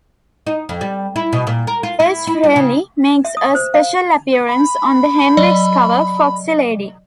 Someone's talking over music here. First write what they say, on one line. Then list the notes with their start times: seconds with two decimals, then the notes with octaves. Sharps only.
Ace Frehley makes a special appearance on the Hendrix cover "Foxy Lady".
0.47 D#4
0.69 F2
0.81 G3
1.16 E4
1.33 B2
1.47 A#2
1.67 A#4
1.83 F4
2.00 E4
2.27 E4
2.44 G3
2.56 C#3
3.25 E5
3.37 D#6
3.55 C5
3.74 F5
4.48 B5
5.37 F#3 D5 D#5